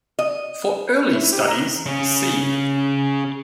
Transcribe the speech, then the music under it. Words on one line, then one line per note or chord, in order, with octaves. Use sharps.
For early studies see.
D#5
E4
G4
A#5
C#3 C#4